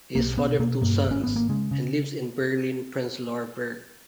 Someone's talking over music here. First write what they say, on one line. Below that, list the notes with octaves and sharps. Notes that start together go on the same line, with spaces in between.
He is father of two sons and lives in Berlin-Prenzlauer Berg.
B1 A#3
B2 B3
B2 A#3
G2 A#3
G#1
C#4
G#1 B3
A#3
C#3 G#3
C#3